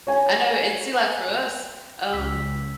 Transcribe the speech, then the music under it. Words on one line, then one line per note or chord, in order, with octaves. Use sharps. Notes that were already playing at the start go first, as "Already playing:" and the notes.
I know, and see, like, for us, um
C#5 G#5
C#2 E6 B6